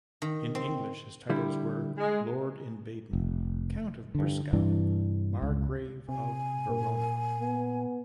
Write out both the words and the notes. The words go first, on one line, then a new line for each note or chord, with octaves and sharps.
In English, his titles were: Lord in Baden, Count of Brisgau, Margrave of Verona.
D#3
C4
D3 G3 E4
G#3
F1
G2 D3
G2 C3 E3 D4
C#2
C3 G#5
A#2 A#4
B3